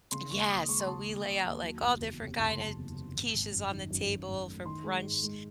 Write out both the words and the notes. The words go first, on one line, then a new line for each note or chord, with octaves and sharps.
Yeah, so we lay out, like, all different kinda d quiches on the table for brunch,
C#3 C6
D#2 C#6
D#2 D#6
G#3 C#6
C6
C#3 A5
D#2
C#3
D#2
F#3
F#1
E2
C3
F#1 A5
C6
F#3 A5
E2
C3
G#1
G#1
F#2
D#3
F#2
F#2
F#2
A3
D#3 C6
G#3
G#2
G#3